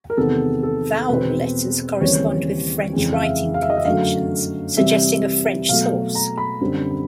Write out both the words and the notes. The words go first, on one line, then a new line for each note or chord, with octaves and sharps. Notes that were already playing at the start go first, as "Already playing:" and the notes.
Vowel letters correspond with French writing conventions, suggesting a French source.
A#4
E2 C3 D#3 G#3 B3 A4
A4
E2 B2 G#3 C4 B4
D#2 C#3 E3 G3 C4 C#5
F2 C#3 E3 G#3 C#4
F5
E5
F5
E5
D#5
E5
F#2 D3 F#3 A3 F5
C3 E3 G3 C4 E5
B2 F#3 A3 F5
A#5
B5
F#2 D3 G3 C4